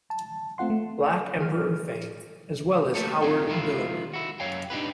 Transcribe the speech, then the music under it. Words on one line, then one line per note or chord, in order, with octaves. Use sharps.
Black Emperor fame, as well as Howard Bilerman.
A5
A3 C4 F4 F#5 C6
A3
E3 G#4 F6
A3 A#3 G4 A4
C4 D#4 F4 G#4 G5
D#3 F3 G#3 E4 F4
E4 F#4
F#2 C#5 F5 G5
D4 D#4 F#4 G4 B4